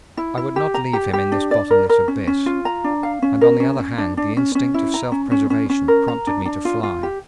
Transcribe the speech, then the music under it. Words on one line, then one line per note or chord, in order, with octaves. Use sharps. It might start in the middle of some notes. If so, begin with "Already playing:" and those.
I would not leave him in this bottomless abyss, and on the other hand the instinct of self-preservation prompted me to fly.
E4
E4
G4
A#5
G4
G4
D4
D5
A#4
A#4
C#4
C#4
F4
A#5
D4
F5
C#4
A#4
C#4
C#4
D4
D4
C#4
C#4
E4
A#5
C#4
C#4
C#4
C#4
A#4
A#5
D4
D4
F4
F4
G4